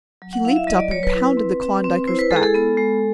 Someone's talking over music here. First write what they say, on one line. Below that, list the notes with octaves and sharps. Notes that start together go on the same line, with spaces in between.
He leaped up and pounded the Klondiker's back.
F#3
F#5
E4 F5
E5
F#3 D#5
D5
F#3 C#5
B4
E4
C4
C4
C4
E4 C5
B4
G#3 A4
G#4
A4
B3
G#3